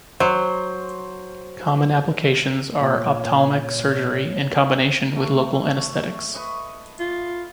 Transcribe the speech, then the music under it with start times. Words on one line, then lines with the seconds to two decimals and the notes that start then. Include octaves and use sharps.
Common applications are ophthalmic surgery, in combination with local anesthetics.
0.20 F#3 C5
2.81 A#2 C#5
5.16 A3
5.38 A3
6.34 B4 D#5 C#6
7.00 F4